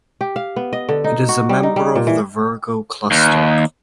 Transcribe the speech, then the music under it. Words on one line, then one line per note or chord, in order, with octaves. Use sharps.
It is a member of the Virgo Cluster.
G4
F5
B3
D#5
D3
D#4
F#4
G3
D#4
G3
A#2
E3
D#2